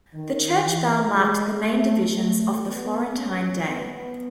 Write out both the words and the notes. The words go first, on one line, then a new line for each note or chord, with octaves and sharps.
The church bell marked the main divisions of the Florentine day.
D#3
E3
G#3
A3
A3
B3
C#4
B3